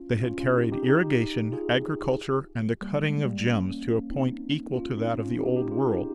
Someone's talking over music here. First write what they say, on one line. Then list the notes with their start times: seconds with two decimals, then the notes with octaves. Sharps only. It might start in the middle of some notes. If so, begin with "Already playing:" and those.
They had carried irrigation, agriculture, and the cutting of gems to a point equal to that of the Old World.
Already playing: C#4 F4
0.23 C#4 F4
0.40 C#4 F4
0.56 D#4 G4
0.72 D#4 G4
0.83 G#4
0.88 D#4 G4
1.52 F4 G#4
2.81 G3 A#3
3.03 G#3
3.24 G3 A#3
3.46 A#3 C#4
4.11 C4 D#4
4.75 C#4 F4
4.97 C4 D#4
5.19 C#4 F4
5.40 D#4 G4
5.57 D#4 G4
5.72 F4 G#4
5.88 D#4 G4